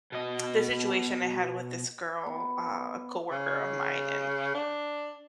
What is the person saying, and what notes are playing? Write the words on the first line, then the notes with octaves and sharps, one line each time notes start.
the situation I had with this girl, uh, a coworker of mine, and,
B2 D#5
B3
C#3
D4